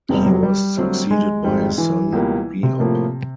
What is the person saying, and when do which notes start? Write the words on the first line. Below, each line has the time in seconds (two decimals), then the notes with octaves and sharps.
He was succeeded by his son Beop.
0.09 F1 E2 C3 G3
0.26 F#3
0.43 G3
0.77 D3 F#3 A3 C4
1.11 G#3
1.44 G#1 G#2 D#3 G3 C4
1.78 E3
2.12 C#2 B2 G3 A#3
2.63 C3
2.80 A2 F3 A#3